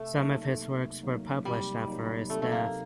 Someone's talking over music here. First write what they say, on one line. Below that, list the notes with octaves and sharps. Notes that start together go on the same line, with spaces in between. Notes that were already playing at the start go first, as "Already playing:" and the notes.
Some of his works were published after his death.
Already playing: C3 A3
F#3 A#3 D#4
C3
F#3 A#3 D#4
C3 G3
F#3 A#3 D#4
C3 A3
A3
A#3